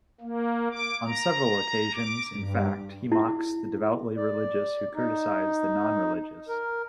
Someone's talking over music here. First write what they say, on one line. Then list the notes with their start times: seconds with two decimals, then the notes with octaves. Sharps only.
On several occasions, in fact, he mocks the devoutly religious who criticize the non-religious.
0.21 A#3
0.72 D6
1.06 A#5
1.94 D6
2.34 G2
3.12 E4
4.17 D5
4.94 D#4
6.49 A#4